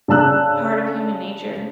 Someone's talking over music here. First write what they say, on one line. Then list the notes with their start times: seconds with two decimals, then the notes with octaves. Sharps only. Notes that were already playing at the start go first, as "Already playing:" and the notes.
part of human nature,
0.08 C#3 D4 A5 E6 F#6